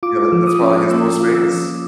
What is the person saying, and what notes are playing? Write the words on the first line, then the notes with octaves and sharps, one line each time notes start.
yeah, that that's probably his most famous.
F4 D6
F3
D#6
C#4
A#3 E6
F4
E6
F3